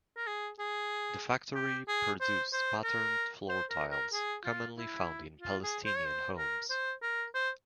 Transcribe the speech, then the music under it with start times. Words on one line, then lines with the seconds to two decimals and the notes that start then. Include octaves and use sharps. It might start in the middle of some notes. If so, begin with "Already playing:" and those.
The factory produced patterned floor tiles commonly found in Palestinian homes.
0.17 A#4
0.27 G#4
0.59 G#4
1.55 G4
1.88 G#4
2.21 C5
2.53 C5
2.84 A#4
3.49 C5
3.70 A#4
3.91 A#4
4.13 G#4
4.45 F4
4.78 E4
5.42 F4
5.63 G#4
5.85 C5
5.97 C#5
6.06 C5
6.38 A#4
6.70 C5
7.02 A#4
7.35 C5